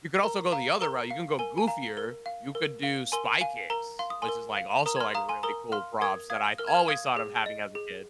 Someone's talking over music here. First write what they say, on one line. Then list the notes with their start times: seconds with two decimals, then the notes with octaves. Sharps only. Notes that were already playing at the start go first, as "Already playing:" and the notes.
you could also go the other route, you can go goofier, you could do Spy Kids, which is, like, also, like, really cool props that I always thought of having as a kid.
0.23 A#4 A#5
0.52 F5 A#5
0.81 A#4 A#5
1.11 F5
1.39 A#4 G#5
1.58 G#5
1.68 F5 A#5
1.97 A#4
2.26 F5
2.55 A#4
2.83 F5
3.12 A#4 G#5 C6
3.41 F5 G#5
3.70 A#4 A#5
3.99 F5 C6
4.10 D#6
4.22 G#5 C6
4.29 A#4
4.57 F5
4.86 A#4 A#5 D#6
4.96 G#6
5.01 C6 F6
5.15 F5 A#5 D#6
5.29 G#5 C6
5.43 A#4 A#5 D#6
5.72 F5 C6 F6
6.01 A#4 D#6 G#6
6.30 F5 D#6 G#6
6.58 A#4 F6
6.67 G#6
6.74 C6 F6
6.88 F5 D#6 G#6
7.17 G#4
7.46 D#5
7.75 G#4